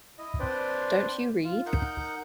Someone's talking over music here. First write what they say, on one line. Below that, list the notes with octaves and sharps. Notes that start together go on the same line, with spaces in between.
Don't you read?
E4 D#5
C4 D4 B4 C5 D5
F4
D#4 A#4 F#5 G6